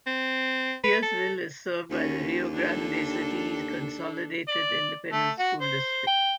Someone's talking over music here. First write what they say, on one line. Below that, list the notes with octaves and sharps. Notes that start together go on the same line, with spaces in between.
Garciasville is served by the Rio Grande City Consolidated Independent School District.
C4
B4
A4
D#2 C#4
D4 A4
D5
A3
F#4
C5
G5